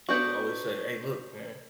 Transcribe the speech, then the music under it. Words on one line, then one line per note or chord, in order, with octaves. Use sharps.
would always say, "Aye, look, man,"
B3 D4 F#4 C#6 G6